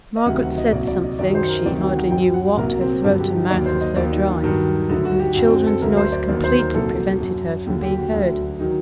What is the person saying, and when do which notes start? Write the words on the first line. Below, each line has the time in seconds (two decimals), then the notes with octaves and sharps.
Margaret said something, she hardly knew what, her throat and mouth were so dry, and the children's noise completely prevented her from being heard.
0.16 D#5
0.26 D2 C3 D#3 F#3 F#5
0.42 F#5
0.57 D#5
0.72 C2 A#2 F#3 D5
0.88 D5
1.04 D#5
1.18 F#2 D#3 F#3 D5
1.35 C5
1.49 A#4
1.65 D2 C3 D#3 F#3 D5
1.81 G5
1.96 F#5
2.11 F#2 F#3 G5
2.34 F#5
2.57 C2 A#2 F#3 A#4
2.81 C4
3.03 G2 D3 F#3 D4
3.20 G4
3.34 D#4
3.50 D#2 D#3 F#3 D5
3.66 C5
3.81 D#5
3.96 D#2 D#3 F#3 D5
4.12 D#4
4.28 D4
4.43 G2 D#3 F#3
4.89 D2 D3 F#3 D#4
5.05 F#4
5.19 G4
5.36 F#2 F#3 F#4
5.45 C4
5.50 D4
5.67 A4
5.82 D2 D3 F#3 A#4
5.97 C5
6.12 D5
6.29 D#2 D#3 F#3 D5
6.44 C5
6.59 A#4
6.75 C2 A#2 F#3 A4
7.20 F#2 F#3
7.66 D#2 D3 F#3 G4
7.82 G4
7.98 F#4
8.13 D2 D3 F#3 D4
8.59 D#3 F#3 D#4